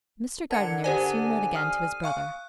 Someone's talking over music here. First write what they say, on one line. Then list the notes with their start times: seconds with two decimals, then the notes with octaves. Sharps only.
Mr. Gardiner soon wrote again to his brother.
0.51 D3 A#4 F#5 A5 G#6 C#7
0.84 G4 C5 D5 G#5
1.55 D#6 F6 C7
2.04 F5 C#6 F#6